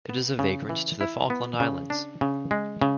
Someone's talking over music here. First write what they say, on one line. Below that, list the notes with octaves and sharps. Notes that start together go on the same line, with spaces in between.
It is a vagrant to the Falkland Islands.
B3
C#3
E3
E4
B3
C#3
D4
C#3
G#3
C#3